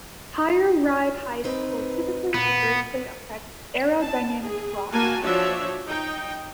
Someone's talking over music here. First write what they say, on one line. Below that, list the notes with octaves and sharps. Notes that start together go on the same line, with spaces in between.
Higher ride heights will typically adversely affect aerodynamic properties.
C4 D#4 B4
A#2 B3
A5
G#4
A#3 F#4 G#5 A5
F3 D4 F#4 C#5 D5 E5
D#4 G5